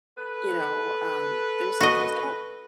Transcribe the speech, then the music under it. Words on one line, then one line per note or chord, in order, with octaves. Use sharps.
You know, um, there's some things they don't
A4 B4
F#4 D#5